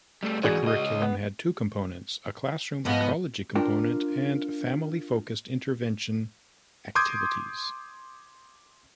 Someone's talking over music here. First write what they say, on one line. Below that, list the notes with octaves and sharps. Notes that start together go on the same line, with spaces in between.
The curriculum had two components: a classroom ecology component and family-focused intervention activities.
G3 A3
G#2 E3 F#4 G#4 D5
C#2 D#5
B3
G#2 F3 B3 D#5
D4 F4 A#4 G5
C6 D6 D#6 G6 G#6